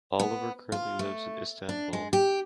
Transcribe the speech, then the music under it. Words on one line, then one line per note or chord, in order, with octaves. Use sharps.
Oliver currently lives in Istanbul.
B3
F4
A3
D4
G#3
G4